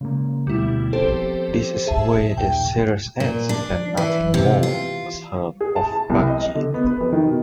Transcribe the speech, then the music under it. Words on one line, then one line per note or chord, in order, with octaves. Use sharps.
This is where the series ended and nothing more was heard of Budgie.
C#3 G#3 A#3
D2 B2 G3 E4
F3 B3 C4 G4 A4 C5
G#4 E5 A5
A#1
A#1 D#2 G5
A#2
D4
E3
C3
F4
G#4
A5
A5
C2
D#5
D#5
D3
B3
B4
F2
D#3
B2